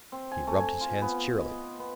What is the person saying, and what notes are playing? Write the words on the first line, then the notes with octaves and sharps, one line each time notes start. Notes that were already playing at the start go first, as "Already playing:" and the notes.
He rubbed his hands cheerily.
C4
G#5
A3
G#5
F4
B3
D#5
B3